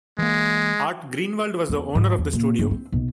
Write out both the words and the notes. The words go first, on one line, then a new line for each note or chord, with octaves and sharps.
Art Greenwald was the owner of the studio.
E3 G#3 A#3
E2
G#2
E2
A#2
G1
C4
B1